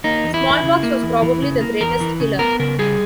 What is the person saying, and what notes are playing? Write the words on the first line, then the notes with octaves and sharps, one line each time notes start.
Smallpox was probably the greatest killer.
A#3 D#4
E2
E4
E3
C#3
A#3
E2
E3
C#3
A#3
E2 A#4
E3
C#3
B3 A#4
C#3 A#4
G3 G#4